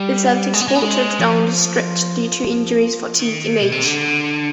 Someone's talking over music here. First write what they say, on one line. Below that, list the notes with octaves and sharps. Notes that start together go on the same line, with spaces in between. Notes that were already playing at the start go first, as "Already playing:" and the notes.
The Celtics faltered down the stretch due to injuries, fatigue and age.
Already playing: G3
G#3
B3
G#3
B3
G#3
F3
D#3
B2
C3
D3